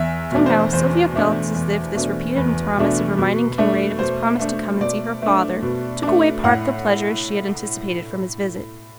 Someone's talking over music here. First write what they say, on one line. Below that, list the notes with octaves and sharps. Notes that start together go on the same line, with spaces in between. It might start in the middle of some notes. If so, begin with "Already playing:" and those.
Somehow, Sylvia felt as if this repeated promise of reminding Kinraid of his promise to come and see her father took away part of the pleasure she had anticipated from his visit.
Already playing: E2 E5
B2 A3 D4
C5
E2 C5
B2 A3 D4
E2
B2 A3 D4
E2 B4
B2 A3 D4
B2
A3 D4
B2 C5
A3 D4
B2 D5
A3 D4
B2
A3 D4
A2 F#5